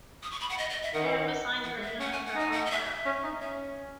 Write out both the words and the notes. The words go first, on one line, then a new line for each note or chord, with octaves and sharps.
I have a signed version of her autobiography.
D#6
C#6
B5
F#5
D#5
D#5
E5
D#3 F#5
E3
D#3
E3 F#5
G#3
E5
C#4 F#5
G#5
F#5
D#4 G#5
F#5
D#5
E5
C#4
D#4
C#4 E5